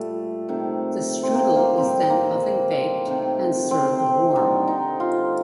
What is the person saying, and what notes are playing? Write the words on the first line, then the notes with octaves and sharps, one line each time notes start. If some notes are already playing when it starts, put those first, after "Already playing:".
The strudel is then oven baked, and served warm.
Already playing: A#2 G3 A3
C3 D#3 A3
C4
A#3
A#3
A2 G3 C4
A#3
C3 D#3 A3
C4
D3 G3 D#4
D#4
F4